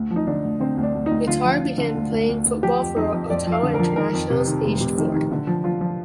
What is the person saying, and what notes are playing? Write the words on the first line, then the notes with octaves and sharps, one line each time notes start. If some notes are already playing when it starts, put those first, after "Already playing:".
Bitar began playing football for Ottawa Internationals aged four.
Already playing: D2
F3
D#4
D3 D4
D2
D3 C4
D2
D4
D2
D#4
D2
D3 F4
F3
D2
D3
D2
D2
D2
D2
F3 G4
F2
F2 D#4
F2
F2 D5
F3
F5
D3
A#4
F3
D#3 A#4
F2
C3
D#3
F1
C3
D#3
D#3
D3
F3
F3 F4
F3